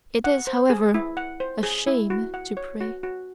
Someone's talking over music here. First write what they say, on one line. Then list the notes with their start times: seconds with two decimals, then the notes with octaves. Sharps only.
It is however a shame to pray!
0.24 F#5
0.47 C5
0.70 G#4
0.94 E4
1.17 F#5
1.40 C5
1.63 G#4
1.87 E4
2.10 F#4
2.34 F#5
2.57 C#5
2.81 F#4
3.03 F#4